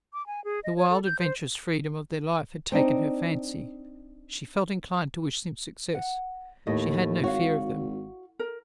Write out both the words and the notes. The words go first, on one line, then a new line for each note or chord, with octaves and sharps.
The wild adventurous freedom of their life had taken her fancy; she felt inclined to wish them success; she had no fear of them.
D6
G#5
G#4
D#5
C#5
A4
G6
C5
C4 D4 D#4
F#5
D#2 A2 D#5
G#1 F#4 C#5 F5
A#4